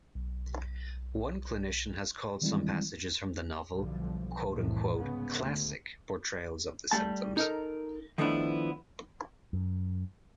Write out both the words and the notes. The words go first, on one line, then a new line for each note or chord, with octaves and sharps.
One clinician has called some passages from the novel "classic" portrayals of the symptoms.
B1
D#3 E3 G3 G#3 C4 E4
B1 D3 F3 G3
C2 F2 A2 E3
G#2 C#3 B3
D2
G3 A3 A5
D#4 A4 A#4
D#3 F3 A3 B3 D4 E4
F#2